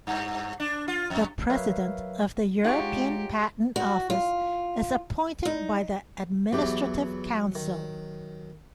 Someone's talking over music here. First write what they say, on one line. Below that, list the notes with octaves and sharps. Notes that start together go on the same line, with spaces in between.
The President of the European Patent Office is appointed by the Administrative Council.
G2
D4
F4
F2
F#3 A#4 B4 C#5 E5 F5
G#3 C#4 D#4 F4 G4 F#5 A#5 C#6
F#4
F4
D#4
E2 E3 F#3 G4
D#3